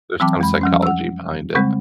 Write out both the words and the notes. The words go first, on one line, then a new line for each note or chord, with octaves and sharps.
There's some psychology behind it.
E3 F#3 C4 G5 A5 D6
F2 G#3 B5
F3 G3 C#4
F#5 E6
C#3 G3 G#3 C4